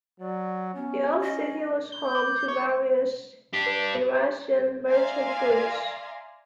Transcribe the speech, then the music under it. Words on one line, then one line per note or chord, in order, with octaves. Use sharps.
The old city was home to various Eurasian merchant groups.
F#3 D5
B3 C#4
D#5
G6
D6
C#5
D4 G4
B4
D5 E5 F5 G#5 A#5 C6